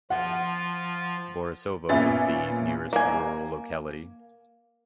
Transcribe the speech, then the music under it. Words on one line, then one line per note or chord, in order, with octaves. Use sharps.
Borisovo is the nearest rural locality.
F3 F4 F#5
A#2 A#3 B3 C#4 E5 A6
A#3 G#5